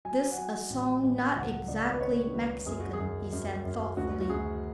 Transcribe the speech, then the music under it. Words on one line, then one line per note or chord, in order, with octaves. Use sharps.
"This-a song not exactly Mexican," he said thoughtfully.
F#3 G#5
F#5
F#3 G#5
A1
A1
C#2 F#5
C#2 D5
B4
G#3 C#5
C#2 B4
F#2 G#4
F#4
G#4
F#2
F#2
F#2
D2 F#4
F#4
D2 G#4